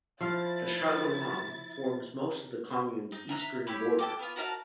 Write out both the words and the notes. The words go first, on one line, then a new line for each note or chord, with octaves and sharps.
The Chalaronne forms most of the commune's eastern border.
F3 E4 F5 A6
D#4
E5 A#5 F#6
E4 G4 C#5
A4 G5 D6
B3 F4
F#4 A#4 E5 A5